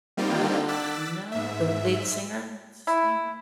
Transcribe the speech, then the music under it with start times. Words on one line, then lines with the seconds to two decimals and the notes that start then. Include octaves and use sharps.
Uh, no, the lead singer, what's his name?
0.17 G3 A#3 C4 D#4 F4 G4
0.68 D6 E6 F#6 A6 B6
1.32 G#2 E5
2.87 E4